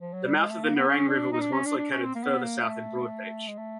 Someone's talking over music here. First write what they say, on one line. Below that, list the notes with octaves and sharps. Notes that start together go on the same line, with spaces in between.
The mouth of the Nerang River was once located further south in Broadbeach.
F3
F#3
G3
G#3
A3
A#3
B3
C#4
D4
D#4
D4
C#4
D4
D4
C#4
C4
A#3
B3
A#3
A3
G#3
A3